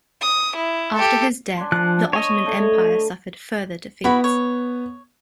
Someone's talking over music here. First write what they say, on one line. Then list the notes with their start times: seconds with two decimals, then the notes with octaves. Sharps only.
After his death, the Ottoman Empire suffered further defeats.
0.21 D#6
0.55 E4
0.95 G4 A4
1.57 D4 G#5 C6
1.72 F3 F#6
2.13 C#5 D#5 G#5 C#6
2.46 D3 A3
4.04 B3 E4 F#4 B5
4.24 C#5